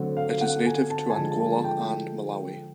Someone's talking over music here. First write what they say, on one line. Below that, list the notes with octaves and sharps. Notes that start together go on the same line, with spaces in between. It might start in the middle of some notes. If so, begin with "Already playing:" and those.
It is native to Angola and Malawi.
Already playing: D3 F#3 A3 C4
F5
F#5
G#5
A5
G#5
D3 F3 G#3 A5
A5
G5